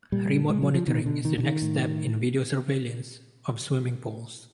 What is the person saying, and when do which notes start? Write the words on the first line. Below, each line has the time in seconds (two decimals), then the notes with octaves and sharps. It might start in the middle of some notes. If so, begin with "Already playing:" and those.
Remote monitoring is the next step in video surveillance of swimming pools.
0.12 A#2 G3
0.50 G#3
0.62 F#3
0.74 F3
0.87 B2 D#3
1.06 D3
1.25 D#3
1.38 D3
1.43 D#3
1.62 A2